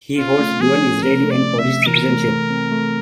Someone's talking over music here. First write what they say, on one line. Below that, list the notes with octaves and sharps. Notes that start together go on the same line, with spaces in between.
He holds dual Israeli and Polish citizenship.
C#4 F4
A3
F3 G#4
C#4
C3 A#4
A3
D5
C3
E5
C3
E3 A#4
A3
A3
C4
A3